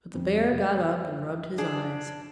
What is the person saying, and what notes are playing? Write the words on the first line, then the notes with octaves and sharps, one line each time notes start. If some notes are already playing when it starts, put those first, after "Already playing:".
But the Bear got up and rubbed his eyes.
F2
F#1
D4 G#4